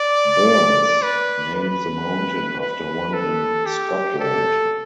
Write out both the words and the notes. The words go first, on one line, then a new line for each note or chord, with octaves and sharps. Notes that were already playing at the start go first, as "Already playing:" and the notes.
Burns named the mountain after one in Scotland.
Already playing: D5
B4
B4
B4
A4
G4
A4